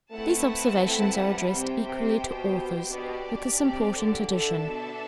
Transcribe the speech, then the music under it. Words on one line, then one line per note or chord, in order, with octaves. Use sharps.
These observations are addressed equally to authors, with this important addition.
A3 C4 E4 B4 F#5 A5
A3
G3
C3 G4 C5 G5
C3
B2
B2 D4 G4 D5
C3
D3
D3 D4 A4 E5 A5
B2